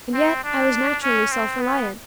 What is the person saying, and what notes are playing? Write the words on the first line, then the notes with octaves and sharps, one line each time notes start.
And yet I was naturally self-reliant.
C4
D4
C#4
C4
B3